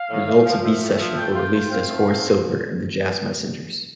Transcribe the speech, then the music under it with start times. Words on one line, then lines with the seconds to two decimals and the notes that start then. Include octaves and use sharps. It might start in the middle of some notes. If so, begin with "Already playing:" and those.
The results of these sessions were released as "Horace Silver and the Jazz Messengers".
Already playing: F5
0.10 A2
0.27 A2
0.46 F3
0.63 F3 E5
0.82 A2
0.99 F3
1.17 A3 G5
1.35 F4
1.54 F4
1.71 C4 F5
1.89 A3
2.08 C4